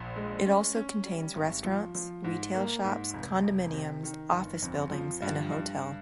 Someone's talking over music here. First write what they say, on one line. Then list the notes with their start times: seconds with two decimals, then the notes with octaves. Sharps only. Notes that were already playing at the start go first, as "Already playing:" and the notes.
It also contains restaurants, retail shops, condominiums, office buildings, and a hotel.
Already playing: A#1
0.16 G#3
0.46 C#4
0.76 C#4
1.06 G3
1.35 G#1
1.65 F3
1.95 F3
2.24 G#2
2.55 A#3
2.84 G#2
3.14 F1
3.44 F1
3.73 C3
4.03 D#3
4.32 G1
4.62 F2
4.92 F3
5.22 G2
5.52 G2